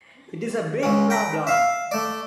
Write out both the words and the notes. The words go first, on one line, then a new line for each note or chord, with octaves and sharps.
It's a big problem.
C#2 C#4
G5 A#5 B5
E5 F5
A3 D5